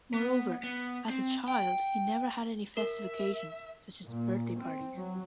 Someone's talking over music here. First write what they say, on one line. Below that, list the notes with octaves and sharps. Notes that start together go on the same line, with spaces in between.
Moreover, as a child, he never had any festive occasions, such as birthday parties.
B3
B3
C4
G5
A#4 E5
A#2
C4
F#3